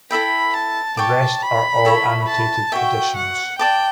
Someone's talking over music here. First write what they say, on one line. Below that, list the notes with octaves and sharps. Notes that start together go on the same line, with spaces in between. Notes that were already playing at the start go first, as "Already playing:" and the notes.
The rest are all annotated editions.
E4 A4 E5 G5 B5
A5
C#5 G5 A5 D6
B5
E4 A4 C#5 E5
A5
F#4 C#5 E5 G5
F#5
D5 G5 A5 D6